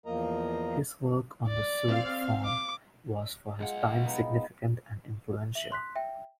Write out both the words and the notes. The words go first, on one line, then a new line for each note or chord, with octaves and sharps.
His work on the suite form was for his time significant and influential.
E2 F3 A#3 A#4 D#5 A#5
D5
C4 F5
D6
B1 G#3 F4 F#5
B3 D#4 G5
E5 F#7 G7
C6 F#6 B6
E5 G5